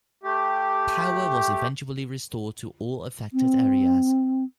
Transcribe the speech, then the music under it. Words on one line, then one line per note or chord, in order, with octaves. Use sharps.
Power was eventually restored to all affected areas.
A3 G4
C4